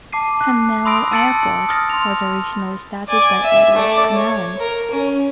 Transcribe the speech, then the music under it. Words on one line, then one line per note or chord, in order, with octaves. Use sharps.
Connellan Airport was originally started by Edward Connellan.
A5 D6 C7 D#7
F#6
B5 C6 D#6 E6 A#6 D7
A5 E6 A6 C#7 D7 F#7
D#6 F6 A6 A#6
C6 F7
D5 G#5
E5
A3 D5
C#5
A#4
C#4